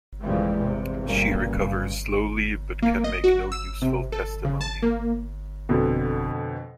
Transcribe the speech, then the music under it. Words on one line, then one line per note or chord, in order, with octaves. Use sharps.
She recovers slowly but can make no useful testimony.
F2 A#2 C#3 E3 G3 G#3
E2 G2 C3
B1 G2 A#2 G3 A#3 C#4
G2 C#3
A#3
D#5
F#4
E6
C3
A4
C#3
A5
A#3
F2 B2 D3